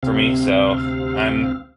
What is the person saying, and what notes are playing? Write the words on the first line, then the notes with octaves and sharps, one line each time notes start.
for me, so, I'm
D2 C3 C4 F5